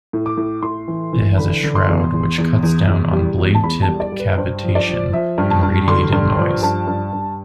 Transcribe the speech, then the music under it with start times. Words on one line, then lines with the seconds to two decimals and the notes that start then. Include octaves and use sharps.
It has a shroud which cuts down on blade-tip cavitation and radiated noise.
0.13 A2
0.26 D6
0.37 A2
0.62 A2 C6
0.88 E3
1.13 E3
1.38 D3 B5
1.63 D3
1.75 C6
1.88 E2
2.13 E2
2.38 E2
2.63 E2
2.88 E2
3.13 G3
3.38 E2
3.55 A5
3.63 E2 B5
3.82 A5
3.88 G3
4.00 D5
4.12 G3
4.19 B4
4.38 G2 C5
4.63 F3
4.75 D5
4.88 F3
5.12 F3 E5
5.38 G2
5.50 A5
5.63 G2
5.87 D3 C6
6.12 G2
6.38 F3
6.63 G2 A5
6.87 G2
7.12 G2